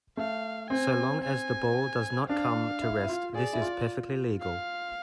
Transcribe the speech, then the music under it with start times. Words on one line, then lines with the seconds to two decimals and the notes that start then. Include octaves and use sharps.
So long as the ball does not come to rest this is perfectly legal.
0.17 A3 F5
0.70 C4 G#5
1.23 G#5
2.29 D4 F5
2.82 E4
3.02 E4
3.09 F4
3.35 G#4 D5
3.53 E4
3.61 F4
4.41 F5